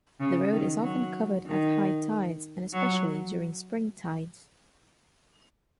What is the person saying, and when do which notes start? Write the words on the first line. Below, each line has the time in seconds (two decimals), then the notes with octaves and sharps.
The road is often covered at high tides and especially during spring tides.
0.20 C#3
0.51 D#3
0.82 F#3
1.46 D#3
2.73 F#3